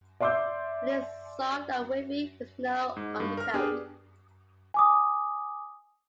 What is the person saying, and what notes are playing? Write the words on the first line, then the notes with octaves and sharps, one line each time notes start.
It is soft and wavy with no undercoat.
D5 E5 C6 D6 E6 G6
G#2
G2
A#4 F6
B3 D4 G4 G#4
G#5 D6 D#6